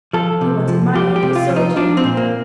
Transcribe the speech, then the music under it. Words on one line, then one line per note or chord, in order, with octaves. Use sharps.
He wanted money, and he sold you.
F3 A4
C3
F3
F3 G4
G4
C3
F4
F3
D#4
F3 D4
C4
A#2
A#3